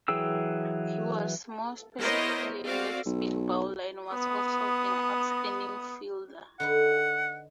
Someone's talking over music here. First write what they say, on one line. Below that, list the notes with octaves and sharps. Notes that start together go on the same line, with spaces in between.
He was more specifically a leg spin bowler and was also an outstanding fielder.
E3 F#3 G#4 G5 E6
B3 E4 A#4 C5 C#5 D#5
C4 F#4 D5 F5
B1
B3 D#6
D3 D#4 B4 F#5